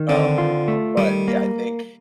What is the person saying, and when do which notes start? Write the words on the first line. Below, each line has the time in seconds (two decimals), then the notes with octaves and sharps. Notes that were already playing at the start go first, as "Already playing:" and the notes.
um, but, yeah, I think,
Already playing: D#3
0.09 D3 C4
0.38 F4
0.68 A3
0.97 D#3 G3
1.28 A#3